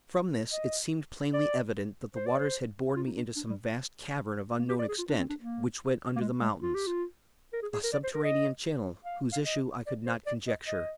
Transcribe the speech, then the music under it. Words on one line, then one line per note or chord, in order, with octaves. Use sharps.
From this it seemed plainly evident that the waters had borne me into some vast cavern of unknown extent, which went under the mountains--a subterranean channel, whose issue I could not conjecture.
D#5
D5
C5
D5
C5
F4
D#4
D4
D4
G3
A#3
G4
D5
G#4
F4
D4
C4
D4
A#3
A#3
G#3
G#3
F4
G4
F4
A#4
G#4
G#4
A#4
D5
C5
A#4
D#5
F5
F5
D#5
D5
C5
D5
D#5
D#5